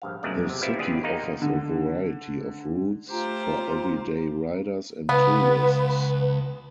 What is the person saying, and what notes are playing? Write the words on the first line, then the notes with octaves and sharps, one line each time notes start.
The city offers a variety of routes for everyday riders and tourists.
A#1 G2 F5
B1 F#2 A#2 G#3 A3 D5
C3 G4
G3 B3 C4 E4 F4 A#4
D3 B3 G4 G#4 B4 D5
A#3 D#4 F4 G4 D#5 F#5
D3
A3 F4 G4 C5 A#5
C#2 B3 B4